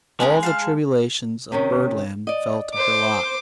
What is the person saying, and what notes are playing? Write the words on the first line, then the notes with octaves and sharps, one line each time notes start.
All the tribulations of birdland fell to her lot.
G#3 B3 C#4 A#4
F5 A5 F6
C3 D#3 C#4
D5 D#5
C5 D6